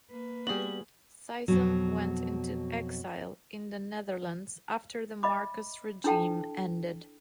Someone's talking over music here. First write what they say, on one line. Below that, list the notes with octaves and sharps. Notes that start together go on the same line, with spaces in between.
Sison went into exile in the Netherlands after the Marcos regime ended.
A#3 B4
G3 B3 F#4 G#4 F#7
F2 B2 F#3
D#5 E5 B5 D6
D4 E4 A4 G5 A5